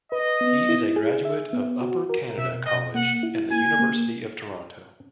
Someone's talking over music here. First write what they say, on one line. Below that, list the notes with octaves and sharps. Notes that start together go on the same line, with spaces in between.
He is a graduate of Upper Canada College and the University of Toronto.
B4 D#5
B3
E4
G#4
E5
B3
F#4
A#4
B2 E5
B2 D#5
A#3 F#5
E4
A#3 G#5
A#3